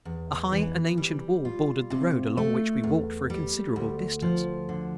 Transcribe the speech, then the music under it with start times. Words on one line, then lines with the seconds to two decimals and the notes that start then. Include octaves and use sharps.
A high and ancient wall bordered the road along which we walked for a considerable distance.
0.05 E2
0.52 E3
0.98 G3
1.45 F4
1.90 C3
2.37 A3
2.83 E2
3.30 G3
3.76 D2
4.22 F3
4.69 D3